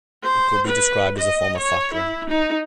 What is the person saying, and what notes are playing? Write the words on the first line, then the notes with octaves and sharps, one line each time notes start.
It could be described as a form of factoring.
C5
B4
D#5
C#5
E4
D#4